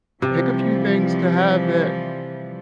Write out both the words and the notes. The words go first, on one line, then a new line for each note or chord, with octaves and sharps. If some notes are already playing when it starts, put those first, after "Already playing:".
pick a few things to have that
C3 E3 F3 G3